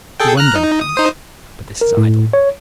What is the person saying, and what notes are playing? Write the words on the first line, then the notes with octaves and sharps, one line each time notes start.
I wonder now--But this is idle.
G#4 A4 G5
A#5 F6 F#6
D#4
D#6
D#4 C5 D#6
A#4
A2
C#5